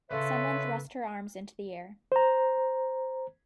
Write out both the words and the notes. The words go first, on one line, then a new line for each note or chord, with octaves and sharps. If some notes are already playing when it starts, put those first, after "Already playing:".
Someone thrust her arms into the air.
C#3 A4 B4 C#5 E5 C6
C5 A#5